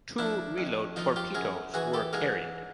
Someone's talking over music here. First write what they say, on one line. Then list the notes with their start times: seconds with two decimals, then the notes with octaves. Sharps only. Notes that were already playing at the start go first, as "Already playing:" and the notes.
Two reload torpedoes were carried.
0.18 F3 D4 E4
0.58 F2
0.96 F3 D#4 F4
1.16 F4 G4
1.35 F#2 G#4 A#4
1.74 E3 F#4 G#4
1.94 G4 A4
2.13 G#2 G#4 A#4